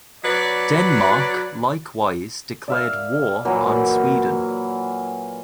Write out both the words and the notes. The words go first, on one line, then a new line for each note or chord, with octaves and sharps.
Denmark likewise declared war on Sweden.
F#3 B4 D5
D5 E5 F5
A#2 E3 F#3